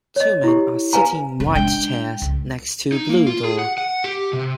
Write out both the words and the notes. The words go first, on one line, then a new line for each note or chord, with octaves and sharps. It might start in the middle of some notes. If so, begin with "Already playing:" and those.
Two men are sitting in white chairs next to a blue door.
C#5 D#5
E4 G4
B4 F5 G#5 A#5
F1 C#4
G#3 D4 G5
C#2
D#4
A#3
F4
G#4
F#5
F#5
G4
C3